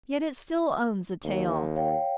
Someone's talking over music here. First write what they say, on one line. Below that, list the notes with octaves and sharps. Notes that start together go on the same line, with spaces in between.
Yet it still owns a tail.
D#2
C#5 F5 G5